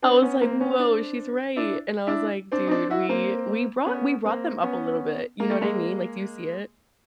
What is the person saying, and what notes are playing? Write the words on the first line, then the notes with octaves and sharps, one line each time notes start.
I was like, "Whoa, she's right." And I was like, "Dude, we we brought we brought them up a little bit." You know what I mean? Like, do you see it?
C4 D4
B3 C#4
A#3 C4
C4
B3 C#4
C4 D4
D4 E4
D4 E4
C4 D4
D#4
C4 D4
E4 F#4
A#3 C4
B3 C#4
A#3 C4
B3 C#4
A#3
A3
G#3 A#3